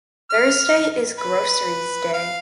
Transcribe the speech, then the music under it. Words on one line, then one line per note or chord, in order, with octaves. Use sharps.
Thursday is groceries day.
F6
B4
F5